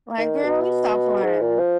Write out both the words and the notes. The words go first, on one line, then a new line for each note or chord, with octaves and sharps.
Like, "Girl, you stop playing."
D#3
B2
G#2
A#2
F3